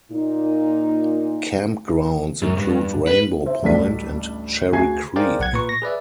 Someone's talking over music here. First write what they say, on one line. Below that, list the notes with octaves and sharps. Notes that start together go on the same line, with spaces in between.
Campgrounds include Rainbow Point and Cherry Creek.
A#2 D#4
F#2
G2
B4
C5 E5
A1 D2 G3 A4 D5 B6
D2 F#4 G#4 G#5 G#6 C7
G#4 A#4 C5 D5 F5 G5
B1 F#5 G#6
A#2 B4 C#6
A#6
G#4 B4 D5 E5